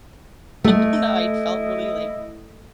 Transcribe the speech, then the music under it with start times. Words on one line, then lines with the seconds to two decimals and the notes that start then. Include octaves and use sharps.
I don't know, I felt really, like
0.64 A3 E4 D#5